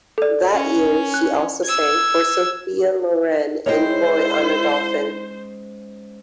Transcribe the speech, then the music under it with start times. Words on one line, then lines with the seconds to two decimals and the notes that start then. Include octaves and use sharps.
That year, she also sang for Sophia Loren in "Boy on a Dolphin".
0.18 A4 D5
0.54 C#4
1.14 F#6
1.64 E6 G#6
3.66 G#2 C#3 G#3 E4 C5 C#5 D#5 G5